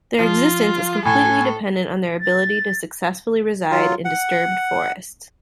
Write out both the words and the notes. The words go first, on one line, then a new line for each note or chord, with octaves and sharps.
Their existence is completely dependent on their ability to successfully reside in disturbed forests.
F3 F4
A2 A4 G#5
A6
F#3 F4
F#5